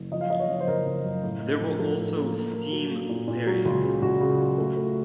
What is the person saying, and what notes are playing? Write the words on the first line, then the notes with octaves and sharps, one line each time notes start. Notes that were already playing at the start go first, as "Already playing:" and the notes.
There were also steam wherries.
Already playing: F#1
F3 D#5
F5
F3 D#5
C#5
F#1
C5
F#1 A#4
F#1
F#2
A2
A2
F3
A#4
F3 A4
A2
A#3
A#3
A#3
F#3
A#3
A#2
A#2
F#3
C#2
C#3
C#2 F#4
C#3
F#3
A3
A3